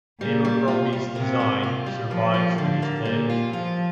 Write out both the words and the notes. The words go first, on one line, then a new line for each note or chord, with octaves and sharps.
Abercrombies design survives to this day.
A#2 G3
G3
F4
G3
C3 A#3
A#3
F4
G3
F3 A#3
F4
D3 G3
A#3
A#2 G3
F4
F3 F4